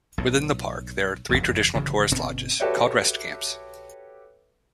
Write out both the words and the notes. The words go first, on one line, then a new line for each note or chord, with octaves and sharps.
Within the park there are three traditional tourist lodges, called "rest camps".
B1 A2
F#1 B1 F2 D#3
G1 C#3 E3 F#3
G1 B2 C4 C#4
F#4 G4 A4 B4 C#5 E5